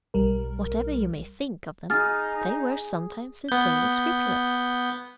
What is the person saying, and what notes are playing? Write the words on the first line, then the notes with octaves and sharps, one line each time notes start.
Whatever you may think of them, they were sometimes sincerely scrupulous.
B1 G3 A#4
D#4 G#4 F6 A6
B3 G6